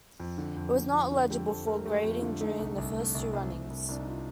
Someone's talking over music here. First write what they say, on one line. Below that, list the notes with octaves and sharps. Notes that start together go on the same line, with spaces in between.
It was not eligible for grading during the first two runnings.
F2
D3
F2
D3
F2
D3
F2 G4
F2 A4
A3 A#4
A3 G4
F2
F4
D3
A3 D#4
C2
C2
A3
C2
C2
C2
C2
C2 D4
D#4
F4